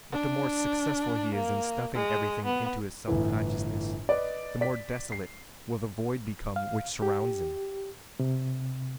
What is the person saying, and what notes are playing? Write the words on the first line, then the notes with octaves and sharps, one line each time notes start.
But the more successful he is in stuffing everything into his self-consciousness, the more desolate will the void become which surrounds him.
D4
A#3
G#3
B3
G1 A2 E3
B4 D5 D#5
D5 B6
C7
F5
G4
C3